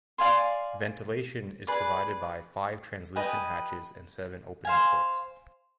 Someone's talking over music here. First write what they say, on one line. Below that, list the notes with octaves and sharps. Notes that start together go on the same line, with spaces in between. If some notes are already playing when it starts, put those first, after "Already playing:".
Ventilation is provided by five translucent hatches and seven opening ports.
D5 F5 G#5 C6
G#4 B4 D5
G4 B4 D#5 G#5
C5 F5 G#5